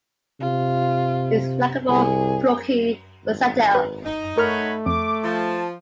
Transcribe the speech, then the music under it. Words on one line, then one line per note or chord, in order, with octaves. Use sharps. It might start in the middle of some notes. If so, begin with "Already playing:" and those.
He's likable, plucky, versatile.
C3 F4
C2 G#4
G#1
B4
D#4
A3 F#4 A#4 C#5 B5 C#6 F6
F2 D6
F3 A5